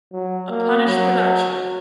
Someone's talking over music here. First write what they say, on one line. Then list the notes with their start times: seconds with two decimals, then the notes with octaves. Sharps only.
A Punish Production.
0.12 F#3
0.49 A#3
0.88 F#3